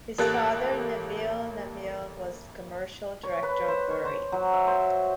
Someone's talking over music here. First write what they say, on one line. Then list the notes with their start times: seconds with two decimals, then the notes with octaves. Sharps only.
His father, Neville Neville, was commercial director of Bury.
0.18 A1 A#3 G4 A4 F#6 A6
3.23 C#5
3.43 B4
3.68 C5
3.91 C#5
4.05 C5
4.32 F#3
4.53 E5
4.67 C5